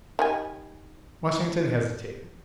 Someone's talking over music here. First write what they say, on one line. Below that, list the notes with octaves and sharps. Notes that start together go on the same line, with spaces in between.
Washington hesitated.
D#3 G3 G#5